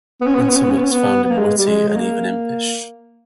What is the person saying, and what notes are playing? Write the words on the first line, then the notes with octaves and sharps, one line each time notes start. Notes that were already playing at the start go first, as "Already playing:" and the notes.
Intimates found him witty and even impish.
B3
C#4
B3
C#4
B3
C#4
B3
C#4
B3
C#4
B3
B3
A#3
G#3
G3
G#3
G#3
A#3